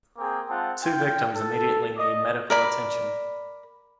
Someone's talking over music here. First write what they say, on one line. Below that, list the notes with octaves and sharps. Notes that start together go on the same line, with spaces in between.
Two victims immediately need medical attention.
A#3 C4 G#4 A#4 G5
G#3 C4 F4 F#5 A5
F4 G5
A4
D5 D#5
A#4 D5 B5